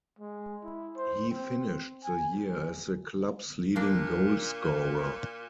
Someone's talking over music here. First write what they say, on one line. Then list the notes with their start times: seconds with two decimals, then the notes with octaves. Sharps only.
He finished the year as the Club's leading goal scorer.
0.19 G#3
0.63 E4
0.97 C5
1.30 C4
2.04 G#5
3.76 A#2 A#3 D4